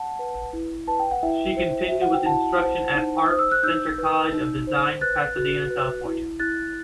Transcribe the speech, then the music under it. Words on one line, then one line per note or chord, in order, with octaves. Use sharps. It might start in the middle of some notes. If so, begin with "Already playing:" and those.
She continued with instruction at Art Center College of Design, Pasadena, California.
Already playing: F#5 A5
B4
E4
B4 A5
G5
F#5
E4 E5 G5
C5
F#4 E5
F#5
G5
E4 F#5 A5
C5
D#4
C5 D#6
E6
F#6
D#4 E6 G6
B4
D#4
C5
B4 F#6 A6
F#4
B4
E4
E4 F#6 A6